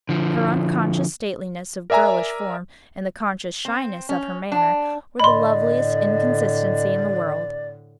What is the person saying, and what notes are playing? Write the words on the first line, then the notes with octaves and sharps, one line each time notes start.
Her unconscious stateliness of girlish form, and the conscious shyness of her manner, were the loveliest inconsistency in the world.
D3 F3
A#4 D5 E5 G#5 A#5
C4
C#4
D4
A2 D3 D5 D#5 B5 C6